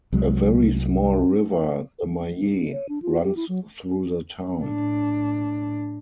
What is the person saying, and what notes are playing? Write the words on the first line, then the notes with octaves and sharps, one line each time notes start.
A very small river, the Maye, runs through the town.
C2 F#3 G#3
C#5
D4
F4
G4
E4
F#3
A2 D4